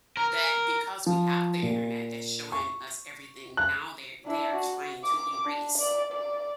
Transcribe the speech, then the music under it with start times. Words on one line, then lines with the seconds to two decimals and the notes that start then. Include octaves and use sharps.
that because we have the Internet that's showing us everything, now they they are trying to erase,
0.17 A#4
1.06 F3
1.63 A#2
2.52 C#6
3.57 F#6
4.26 D4 E4
4.56 F#4
5.04 D6
5.45 D4
5.78 D5
6.12 D5